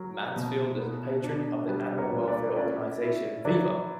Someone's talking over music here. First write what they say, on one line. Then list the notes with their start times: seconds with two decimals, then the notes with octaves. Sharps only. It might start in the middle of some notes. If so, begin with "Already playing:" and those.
Mansfield is a patron of the animal welfare organisation Viva!
Already playing: F#3 A#4
0.36 B2
0.80 B3
1.24 D4
1.68 G3 G4 B4
1.98 A#4 C#5
2.13 A#2
2.27 B4 D5
2.57 C#4 B4 D5
3.01 E4
3.45 F#3 B4 D5